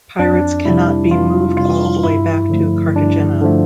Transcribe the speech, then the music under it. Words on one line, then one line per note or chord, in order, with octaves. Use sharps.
Pirates cannot be moved all the way back to Cartagena.
F2 D4
C3 G3 E4
F2 F4
C3 G3 F4
G2 E4
D3 F3 A3
G2 D4
D3 F3 A3